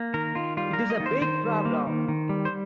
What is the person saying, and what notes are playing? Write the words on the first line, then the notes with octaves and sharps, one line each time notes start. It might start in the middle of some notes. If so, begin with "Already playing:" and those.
It's a big problem.
Already playing: A#3
D#3 A#4
D#3 F4
G3 F4
A#4
A#3
D#5
D#3
C5
D#3 C5
G3
A#3
D#3
D#3
G3
C5